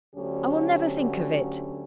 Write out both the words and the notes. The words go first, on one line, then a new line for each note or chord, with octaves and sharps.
I will never think of it.
D2 D3 F#3 C#4 G4